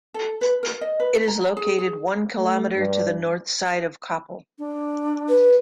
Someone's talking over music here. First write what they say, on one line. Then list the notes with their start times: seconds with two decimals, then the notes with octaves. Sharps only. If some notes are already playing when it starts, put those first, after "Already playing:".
It is located one kilometer to the north side of koppal.
0.14 A4
0.41 B4
0.63 A#4
0.81 D#5
1.00 B4
1.28 A#5
1.57 G#4
1.78 G#4
2.36 A3
2.76 G2 G3 D4
4.59 D4
5.29 B4